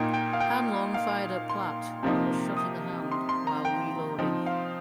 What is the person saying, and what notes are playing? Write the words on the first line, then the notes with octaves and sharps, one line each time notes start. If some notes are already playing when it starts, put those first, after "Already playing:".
Hanlon fired at Platt and was shot in the hand while reloading.
Already playing: A#2 A#3 D#4 G5
G5
F5
G5
F5
C6
C3 F3 A#3 D#4
D#6
C6
C6
A#5
G5
F3 C4 D#4
F5